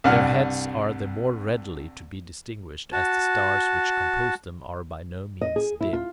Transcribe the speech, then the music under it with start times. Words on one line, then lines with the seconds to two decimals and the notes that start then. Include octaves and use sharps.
Their heads are the more readily to be distinguished as the stars which compose them are by no means dim.
0.04 C2 G2 F#5 F6
2.93 F#4 A5
5.41 D#5
5.56 G#4
5.81 E4
5.93 F4